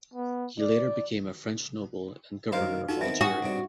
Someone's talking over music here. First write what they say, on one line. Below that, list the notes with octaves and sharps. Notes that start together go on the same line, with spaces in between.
He later became a French noble and Governor of Algeria.
B3
D5
F#2 D#3 C5 F5 A#5
D#4 F4 F#4 A4
D#3 B3 C4 E5
C#4 D#4 F#4 G#4 G#5
G2 C3 D4